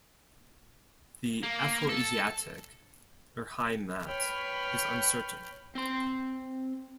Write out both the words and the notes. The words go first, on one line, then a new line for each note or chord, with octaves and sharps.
The Afroasiatic Urheimat is uncertain.
A#3
A4
B4 C#5 G5 B5 F6
C4 C6